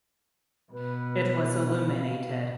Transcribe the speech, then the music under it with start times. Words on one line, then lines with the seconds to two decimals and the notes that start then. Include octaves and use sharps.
It was illuminated.
0.72 B2 B4
1.93 F5